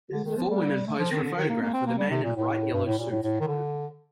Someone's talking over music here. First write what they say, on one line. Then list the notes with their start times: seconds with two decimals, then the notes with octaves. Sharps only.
Four women pose for a photograph with a man in a bright yellow suit.
0.12 D3
0.25 D#3
0.37 F3
0.50 G3
0.87 A3
0.99 F3
1.12 D#3
1.24 D3
1.36 D#3
1.50 A#3
1.62 A#3
1.74 C4
1.87 A#3
1.98 G3
2.11 C3
2.24 A#2
2.37 A2
2.73 G2
2.86 A2
2.99 A#2
3.11 A2
3.23 A2
3.41 D#3
3.48 D3